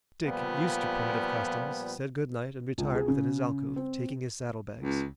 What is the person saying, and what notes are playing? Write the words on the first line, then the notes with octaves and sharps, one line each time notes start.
Dick, used to primitive customs, said good-night and retired within his alcove, taking his saddle bags.
A#2 F3 G3 B3
C#2
G#4
C#3
C4
C#2